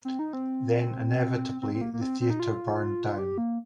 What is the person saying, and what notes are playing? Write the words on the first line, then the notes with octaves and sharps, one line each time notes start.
Then, inevitably, the theatre burned down.
C4
D#4
C4
C4
C4
A#3
A#3
C4
C4
D#4
F4
G4
A#3